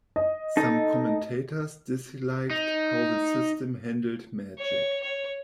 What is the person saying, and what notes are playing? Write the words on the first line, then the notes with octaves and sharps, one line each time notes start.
Some commentators disliked how the system handled magic.
D#5
D#4 A4
D#4
C#5
C#5